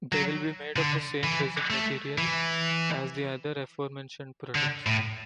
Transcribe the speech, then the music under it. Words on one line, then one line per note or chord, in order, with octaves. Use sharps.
They will be made of the same resin material as the other aforementioned products.
F#3
D3
E3
A3
E3
D3
A2